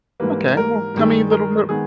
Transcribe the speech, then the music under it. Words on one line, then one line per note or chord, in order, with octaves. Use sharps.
Okay. Well, tell me a little bit
G#2 E3 G3 A#3 B4
A#4
G2 D#3 G#3
A#4
D#3 G#3 B3 G#4